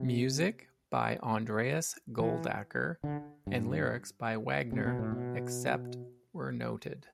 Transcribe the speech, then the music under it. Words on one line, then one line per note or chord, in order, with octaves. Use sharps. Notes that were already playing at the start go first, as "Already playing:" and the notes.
Music by Andreas Goldacker and lyrics by Wagner except where noted.
Already playing: C3
E3
D3
G2
C3
B2
A2
B2